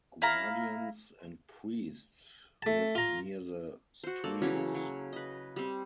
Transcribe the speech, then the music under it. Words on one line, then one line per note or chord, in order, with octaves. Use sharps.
Guardians and priests live near the Streels.
E4 F5 A#5
A3 A5
F4 A#5
F#4 C5
A#3 A4 D5
C#3 E3 F#3 C#4
F#3
B4 D#5
G3 C4